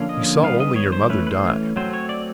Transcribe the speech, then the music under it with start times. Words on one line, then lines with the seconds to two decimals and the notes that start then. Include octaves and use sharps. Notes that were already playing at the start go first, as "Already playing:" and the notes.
You saw only your mother die.
Already playing: D3 F3 A#3 C#4
0.09 D#5
0.43 D#3 G3 B3 F5
0.60 D#5
0.76 C#5
0.92 C5
1.09 E3 A3 C#4 B4
1.27 B4
1.32 C5
1.76 F#3 A3 C4 C5
1.93 C#5
2.09 D5